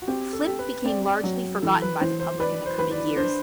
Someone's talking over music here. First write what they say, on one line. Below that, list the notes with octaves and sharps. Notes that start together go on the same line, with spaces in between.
Flip became largely forgotten by the public in the coming years.
F#4
C4 G4
A4
G4
B4
C4 D5
D5
F#3
E3 A4
B4
E3 C5
C5
B4 D5
C5
B4
D5
D4 C5